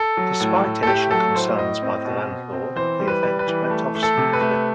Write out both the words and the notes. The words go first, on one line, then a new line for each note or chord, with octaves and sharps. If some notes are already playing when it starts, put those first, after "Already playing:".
Despite initial concerns by the landlord, the event went off smoothly.
Already playing: A4
F#3
A2
A2
A4
A3 G4
F#3 A4
A2 C5
A2 D#5
C4
B2
B2
C4
E3 C5
G3
B4
G3
B4
E3
A3
A3
A4
C3
B4
A3